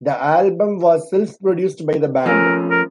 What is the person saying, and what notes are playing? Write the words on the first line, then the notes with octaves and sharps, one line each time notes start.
The album was self-produced by the band.
F3 A3 C#4 A#4
A#4